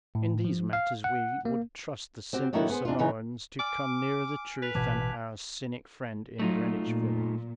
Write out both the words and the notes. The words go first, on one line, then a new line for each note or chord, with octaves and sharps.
In these matters we would trust the simple Samoans to come nearer the truth than our cynic friend in Greenwich Village.
A2
F3
F5
F#5
A#3
C4 F#4 G4
D3 D#3 F#3 A#3 D4 E4
B3 G#4 C5
E2 D4 D#4 F4
C#3 E3 B3 D#4
G#5 D6 F6 D7
B4 F#6 B6 F7
A1 B2 E3 A5 D6 G#6
F#3 A3 D#4 F4
A#2